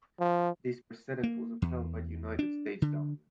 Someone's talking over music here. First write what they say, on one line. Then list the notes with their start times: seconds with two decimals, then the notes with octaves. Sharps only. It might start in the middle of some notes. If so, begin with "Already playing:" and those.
This precedent was upheld by the United States government.
0.19 F3
1.23 A#3
1.62 E2
2.39 D4
2.82 D3